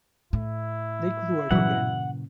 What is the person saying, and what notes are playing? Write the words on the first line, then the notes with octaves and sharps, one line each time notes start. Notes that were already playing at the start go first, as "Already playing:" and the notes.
They could work again.
A2 E4
G2 A#2 C#3 E3 F#3 F#5